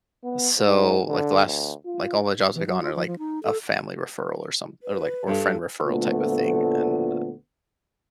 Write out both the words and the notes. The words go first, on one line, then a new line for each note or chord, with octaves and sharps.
so, like, the last like, all the jobs I've gone are, like, a family referral or some, or, like, or friend referral type of thing, and,
B3
G#2
D3
D2
F4
E3
F#3
F4
F3
F3
D#4
A4
B4
G2 A4
D2 A#2 F3 A3 B3